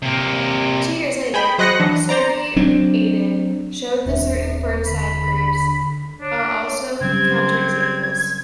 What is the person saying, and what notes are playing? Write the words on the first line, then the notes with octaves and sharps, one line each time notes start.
Two years later, Sergei Adian showed that certain Burnside groups are also counterexamples.
C3 A#3
G#4 G5 B5
F#3 C5 D#5 F#6 A#6 C#7
E3 F#3 D4
C5 D5 A#5
F#3 C4 D4
D#1 C4 D4 E5
D3 B5
D4 C#5
C#3 F#3 G3 C4 G#6